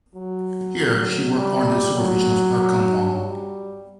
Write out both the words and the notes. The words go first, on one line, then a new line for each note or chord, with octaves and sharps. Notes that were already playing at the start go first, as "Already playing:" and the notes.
Here she worked under the supervision of Erkang Wang.
F#3
G3
F#3
G3